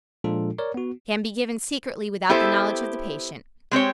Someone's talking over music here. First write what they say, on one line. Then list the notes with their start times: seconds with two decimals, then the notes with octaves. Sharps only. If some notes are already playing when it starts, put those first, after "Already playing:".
Can be given Secretly without the knowledge of the patient.
0.24 A#2 F3 G#3 D4 F4 A4
0.58 A#4 C#5 D5
0.74 B3 F#4
2.29 B3 E4 G4 A4 C5
3.71 G#3 C4 G4 C#5